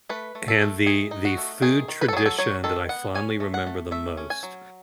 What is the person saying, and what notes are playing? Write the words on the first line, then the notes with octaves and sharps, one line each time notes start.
and the the food tradition that I fondly remember the most
A3 B4
A3
A4
A3
D#3 G#4
D#4
F#4
A3
D#3 G#4
D#3
B4
A4
F#3 G#4
A4
F#3 C#5
D#3 A4
B3 F#5
C#4 G#5
A3
F#5
A3
A3 E5
C#4
G#5
F#3